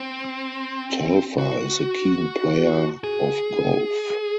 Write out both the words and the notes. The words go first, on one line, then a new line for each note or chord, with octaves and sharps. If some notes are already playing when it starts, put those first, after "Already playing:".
Telfer is a keen player of golf.
Already playing: C4
F#4
G#4